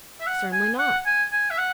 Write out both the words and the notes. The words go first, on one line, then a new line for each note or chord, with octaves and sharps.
"Certainly not."
E5
F#5
G#5
F#5
G#5
G#5
E5
F#5